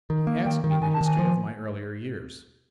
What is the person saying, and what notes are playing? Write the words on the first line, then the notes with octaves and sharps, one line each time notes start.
He asked me the history of my earlier years.
D#3
A#3
D#3 G5
D#3
G5
D#3 G#5
A5
D#3 G#5
F3